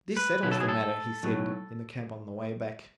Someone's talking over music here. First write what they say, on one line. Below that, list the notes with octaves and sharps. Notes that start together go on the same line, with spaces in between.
"This settles the matter," he said, in the cab on the way back.
B4
B1 B2 F#3 B4
A4
G#4
A4
B1 A2 F#3